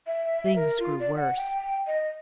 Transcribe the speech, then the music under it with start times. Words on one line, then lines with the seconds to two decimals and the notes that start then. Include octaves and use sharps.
Things grew worse.
0.07 E5
0.56 A#4
0.80 F4
1.00 D5
1.16 F#5
1.37 G5
1.87 D#5